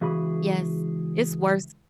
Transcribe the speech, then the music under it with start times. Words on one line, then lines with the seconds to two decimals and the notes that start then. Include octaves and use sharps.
Yes. It's worse.
0.01 C#2 E3 F#4 G#4 B5